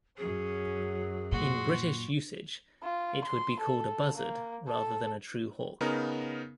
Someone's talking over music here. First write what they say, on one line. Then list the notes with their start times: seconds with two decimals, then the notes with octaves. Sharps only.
In British usage, it would be called a buzzard rather than a true hawk.
0.18 F#2 F#3 C#4 G#4
1.32 A#2 F#4 C6
2.82 F4
3.24 C6
3.59 A4
4.16 A#3
4.67 A4
5.81 C#3 B3 D#4 A#4